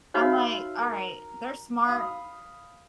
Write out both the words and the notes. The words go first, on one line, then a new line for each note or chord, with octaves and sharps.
I'm like, "All right, they're smart
D#4 F#4 C#5 E5 F5 B5
A#4
F5 B5 D#6